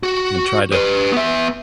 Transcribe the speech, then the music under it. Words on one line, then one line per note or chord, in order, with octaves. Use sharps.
and try to
F#4
G4 B4
B3 E5